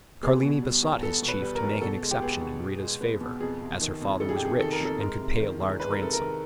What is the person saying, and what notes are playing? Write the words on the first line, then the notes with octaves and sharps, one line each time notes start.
Carlini besought his chief to make an exception in Rita's favor, as her father was rich, and could pay a large ransom.
B3 G#4
B2
G3
E2
B3 A4
B2
B4
G3
A#4
E2
B2 A4
G#3
G4
B3 G#4
B2
B2
G#3
B3
B2
F2 G#4
C3
D#3
F2
F2 A4
G#4
G4
C3 G#4
D#3 A4
A#4
F2
A4
G#3 A#4
C3
D#3
E2
G#3 B4
A#4
C3 A4
A#4
D#3